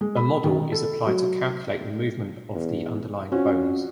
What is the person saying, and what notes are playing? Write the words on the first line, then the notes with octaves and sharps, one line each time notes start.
A model is applied to calculate the movement of the underlying bones.
G#3
B5
D#3
A4
F#3
E2
C4 C#4 F4 F#4